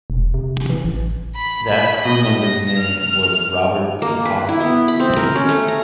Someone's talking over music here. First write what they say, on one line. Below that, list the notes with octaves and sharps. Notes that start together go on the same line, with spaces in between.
That crew member's name was Robert Tatosky.
E1
C3
E3
A1
B5
B5
D#5
A#6
F6
A#3
B4
E4
B3
B5
C4
A#4
C#4
A3
A#5